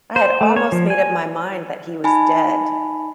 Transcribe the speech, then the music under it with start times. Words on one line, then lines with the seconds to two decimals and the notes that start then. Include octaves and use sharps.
I had almost made up my mind that he was dead.
0.16 C5
0.41 A3
0.56 C#5
0.72 F3
0.90 G#5
2.04 D#4 G#5 A5 B5